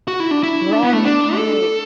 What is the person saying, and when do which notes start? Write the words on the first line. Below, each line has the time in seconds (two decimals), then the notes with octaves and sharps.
right, right.
0.08 F#4
0.20 E4
0.31 D4
0.43 E4
0.72 D4
0.83 B3
0.93 A3
1.05 D4
1.36 A4